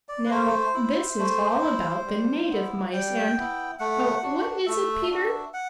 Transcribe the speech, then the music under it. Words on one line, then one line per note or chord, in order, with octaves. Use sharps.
"Now this is all about the native Mice and--what is it, Peter?"
D5
B4
A3 C5
E4
A3
E4
G3
B3 E4
G3 G5
B3 E4
A3 F#5
D4 F#4
A3 E5
D4 F#4
F#5